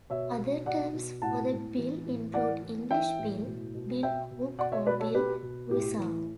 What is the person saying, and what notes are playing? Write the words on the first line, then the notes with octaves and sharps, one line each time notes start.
Other terms for the bill include English bill, bill hook or bill-guisarme.
B2 C#5 E5
B2
B2 D5 F#5
B2
A2 F#5 A5
A2
E3
A2
E3 D5 F#5
E3
E3 E5 G5
A2
B2
B2
B2 E5 G5
B2
B2 D5 F#5
C#5 E5
B2 B4 D5
A4 C#5
B2 G4 B4
B2
A2 G4
E3